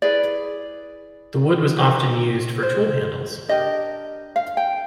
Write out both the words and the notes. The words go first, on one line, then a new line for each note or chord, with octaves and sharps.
The wood was often used for tool handles.
E4 G#4 B4 D5
D#4 G4 B4
C5
D4 G4 A#4 D#5
F5
G5